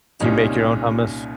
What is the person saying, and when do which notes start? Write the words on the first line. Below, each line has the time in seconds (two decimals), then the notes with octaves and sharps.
Do you make your own hummus?
0.20 C2 A#2 G3 C#4 D#4